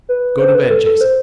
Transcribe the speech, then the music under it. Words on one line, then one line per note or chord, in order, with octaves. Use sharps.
"Go to bed, Jason."
B4
C5
B4
A4
A4
C5